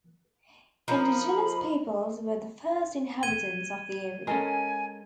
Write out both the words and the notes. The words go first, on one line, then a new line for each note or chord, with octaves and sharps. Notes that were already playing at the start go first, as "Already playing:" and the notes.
Indigenous peoples were the first inhabitants of the area.
F3 A#3 D#4 B5
G#6 D#7 G7
G#3 C#4 A4 A#4 G#5